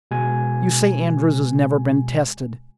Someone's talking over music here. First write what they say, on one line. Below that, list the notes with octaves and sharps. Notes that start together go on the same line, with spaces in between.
You say Andrews has never been tested.
B2 G#3 G#5